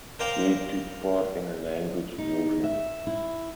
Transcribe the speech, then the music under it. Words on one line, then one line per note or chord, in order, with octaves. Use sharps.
He took part in the Language Movement.
A#4 C5 D5 F5 G5
D#4
E5
E4